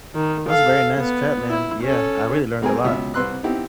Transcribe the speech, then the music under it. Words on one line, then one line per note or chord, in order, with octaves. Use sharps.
That was a very nice chat, man. Yeah, I really learned a lot.
D#3
A4 F5
B3
E4
C#4 A4
B1 G#3 C4 A#4 B4 G#5
C#2 B2 E5
C2 B4 C6 E6 F#6
B3 C4 D#4 E4 G4